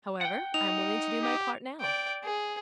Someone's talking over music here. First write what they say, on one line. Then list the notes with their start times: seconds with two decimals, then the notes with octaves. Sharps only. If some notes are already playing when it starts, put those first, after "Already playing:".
However, I am willing to do my part now.
0.21 F#5 G5
0.54 D#4 F7
1.22 G4
1.81 D5 G5
2.24 G#4